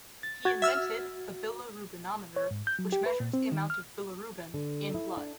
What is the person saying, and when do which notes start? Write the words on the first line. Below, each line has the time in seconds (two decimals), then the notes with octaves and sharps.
He invented the bilirubinometer which measures the amount of bilirubin in blood.
0.23 A6
0.45 F#4 G#6 A6
0.62 E5 E6 F6
2.36 C#5
2.51 G#2
2.67 G6
2.79 F#3
2.92 G4
3.06 B4
3.20 A#2
3.33 C4
3.52 D#3
3.70 F6
4.54 D3
4.94 E4
5.17 D4